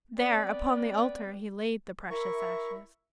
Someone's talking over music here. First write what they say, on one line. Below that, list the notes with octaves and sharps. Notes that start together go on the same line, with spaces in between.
There upon the altar he laid the precious ashes.
B3 C4 B4 D5 G5
E4 A#4 E5 C#6